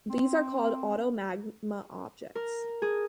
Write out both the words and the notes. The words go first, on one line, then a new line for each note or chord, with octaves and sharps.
These are called auto magma objects.
C4
A#4
G#4